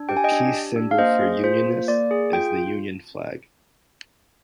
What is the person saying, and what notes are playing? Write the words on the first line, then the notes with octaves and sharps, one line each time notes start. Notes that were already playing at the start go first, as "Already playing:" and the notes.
A key symbol for unionists is the Union Flag.
Already playing: D4
G4 G5
G#5
D#5 G5
D4
G4
D4
F5
A#3 C5 D#5
G#4
F4 C5
A#3
A#3 D5
G#4
F4 G5